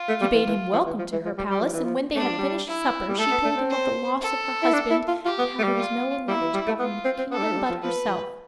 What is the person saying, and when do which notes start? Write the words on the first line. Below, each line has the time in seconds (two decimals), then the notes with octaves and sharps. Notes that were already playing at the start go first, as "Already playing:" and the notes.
She bade him welcome to her palace, and when they had finished supper she told him of the loss of her husband, and how there was no one left to govern the kingdom but herself.
Already playing: F4
0.09 A3
0.21 G3
0.34 E3
0.47 E3
0.73 F3
0.86 E3
0.99 F3
1.12 E3
1.25 F3
1.38 G3
1.50 G3
1.61 F3
1.73 E3
1.84 F3
2.15 A3 D4
2.23 G3
2.31 F3
2.38 G3
2.67 E4
3.08 G3
3.18 A3 A4
3.31 B3
3.44 A3
3.56 C4
3.70 C5
4.21 A4
4.63 E4
4.73 D4
4.91 E4
5.08 F4
5.25 F4 G4
5.38 B3
5.59 A3
5.64 G3
5.76 F4
6.28 G3 E4
6.41 E3
6.54 G3
6.67 A3
6.79 B3 F4
7.05 C4
7.19 C4
7.31 B3 A4
7.38 G3
7.44 A3
7.52 F3
7.57 G3
7.70 F3
7.82 F3 B4
8.08 F3